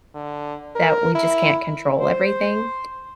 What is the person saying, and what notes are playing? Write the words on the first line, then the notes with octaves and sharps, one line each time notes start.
that we just can't control everything,
D3
A#4
E4
C5